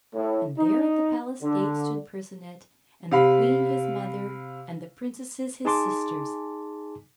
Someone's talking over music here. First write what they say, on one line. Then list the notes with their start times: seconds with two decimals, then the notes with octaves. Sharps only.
And there, at the palace-gate, stood Percinet, and the queen, his mother, and the princesses, his sisters.
0.14 A2
0.58 D#4
1.43 D3
3.11 C3 F5 B5
5.65 D#4 G#4 G#5 A5 C6 D6